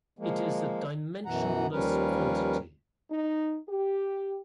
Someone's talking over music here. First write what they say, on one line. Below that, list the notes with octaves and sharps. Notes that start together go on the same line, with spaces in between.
It is a dimensionless quantity.
F3 G#3 A#3
F#2 B2 E3 F#5 A#5
D#2 F3 G3 C#4 A#4 B4
D#4
G4